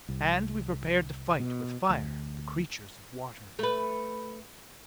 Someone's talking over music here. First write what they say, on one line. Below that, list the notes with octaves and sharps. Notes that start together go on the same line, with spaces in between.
And we prepared to fight, with fire, the creatures of water.
C2
B2
D2
A3 B4